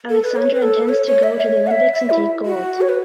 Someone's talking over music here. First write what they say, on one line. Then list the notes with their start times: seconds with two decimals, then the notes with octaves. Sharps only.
Aleksandra intends to go to the Olympics and take gold.
0.10 A4
0.23 B4
0.36 C#5
0.54 B4
0.62 A4
0.89 C#5
1.06 C#5
1.23 E5
1.41 C#5
1.67 F#5
1.71 E5
1.93 E5
2.10 E4
2.46 F#4
2.81 C#5
2.89 B4